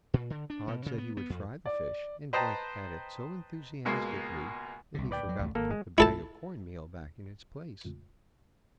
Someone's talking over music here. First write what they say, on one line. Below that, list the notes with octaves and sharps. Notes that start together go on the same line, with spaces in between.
Pod said he would fry the fish, and went at it so enthusiastically that he forgot to put the bag of corn meal back in its place.
A#2
D3
D4
B2
C#3
B3
B3
F2
D5
B4 C5 D#5 G5 A5 A#5
C#2 B2 G#3 A#3
C2 D3
D2 A#2 B4 D5 G5
F2 F#3
A1 D#2 A3
G#1 A#3 A4
G#3
E4 A4 A5